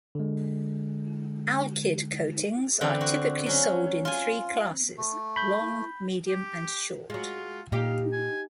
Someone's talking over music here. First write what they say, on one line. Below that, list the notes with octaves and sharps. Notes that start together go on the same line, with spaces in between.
Alkyd coatings are typically sold in three classes: long, medium, and short.
D3 G#3
D3 E3 C4
F#4
F#3 C#4
F4 G#5
A3
B5 G6
G4
F#3 G#3 F4
A#2 D#4 G4 F5
G#5